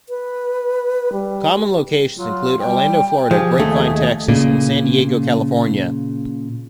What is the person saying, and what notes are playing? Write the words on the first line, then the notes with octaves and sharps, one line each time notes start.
Common locations include Orlando, Florida; Grapevine, Texas; and San Diego, California.
B4
G3
F#3 F4
G3 G5
F3 G4 G#4
D#2 A3 D#5
A#2 C#3